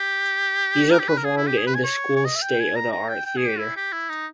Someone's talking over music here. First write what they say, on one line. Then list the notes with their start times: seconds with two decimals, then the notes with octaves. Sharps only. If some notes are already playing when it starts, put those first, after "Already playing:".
These are performed in the school's state of the art theatre.
Already playing: G4
0.91 A#4
1.00 G4
1.08 B4
1.17 A#4
1.25 G#4
1.37 E4
1.47 G4
1.58 G#4
1.67 B4
1.75 G#5
1.84 C#5
2.16 C#5
2.25 D#5
2.36 E5
2.42 G5
2.60 G#5
2.76 A#5
2.92 A#5
3.09 G5
3.26 G5
3.37 G#4
3.48 G4
3.59 E4
3.77 G4
3.93 E4
4.09 D#4